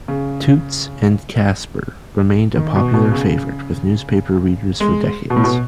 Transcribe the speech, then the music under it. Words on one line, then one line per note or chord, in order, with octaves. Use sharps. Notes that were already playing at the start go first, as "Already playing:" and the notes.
"Toots and Casper" remained a popular favorite with newspaper readers for decades.
C#3
D#3
B2
B2
C#3
G#3
B2
A2
B2